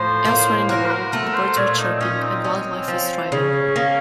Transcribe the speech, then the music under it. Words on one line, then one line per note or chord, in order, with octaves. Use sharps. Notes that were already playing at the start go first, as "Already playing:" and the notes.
Elsewhere in the world, the birds were chirping and wildlife was thriving.
Already playing: A2 F3 C5
A#3
F#4 A#4
C5
A#4
A3 A#4
C5
A#2 C#5
D#4
C4
C#4 D#4
C4
C#4
F3
C#3 C#4
A#3